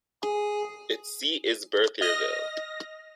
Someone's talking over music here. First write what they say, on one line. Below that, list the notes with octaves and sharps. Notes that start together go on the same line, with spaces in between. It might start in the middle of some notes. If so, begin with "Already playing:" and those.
Its seat is Berthierville.
G#4
D#5 F6 A#6